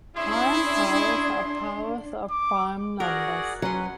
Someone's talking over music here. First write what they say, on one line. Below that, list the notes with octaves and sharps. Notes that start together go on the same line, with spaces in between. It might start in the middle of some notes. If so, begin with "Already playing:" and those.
Prime powers are powers of prime numbers.
C#4 D4 E4 G#4 C6
D6
F#4 G#4 A#4 D5 F#5
F#3 C#4 B4 F#5 C6